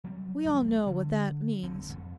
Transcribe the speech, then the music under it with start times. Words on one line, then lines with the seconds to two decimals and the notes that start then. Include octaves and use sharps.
We all know what that MEANS.'
0.04 F#3 G3 C4
0.45 E1 B1 G3
0.87 D3
1.63 F#1 E2 D3 C4
1.92 F2